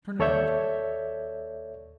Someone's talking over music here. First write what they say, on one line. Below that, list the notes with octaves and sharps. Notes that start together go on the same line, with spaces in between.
"Turn it out!"
D#2 A4 C#5 D5 E5 G6